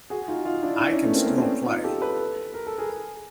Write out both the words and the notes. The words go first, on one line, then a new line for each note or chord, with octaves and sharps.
I can still play.
F#4 G#4
D#4 F4
F#4
D#4 F4
D4 E4
D4 E4
C#4 D#4
A3 B3
A#3 C4
B3 C#4
C4 D4
D#4 F4
G4 A4
A4 B4
A#4
A4
G#4 A#4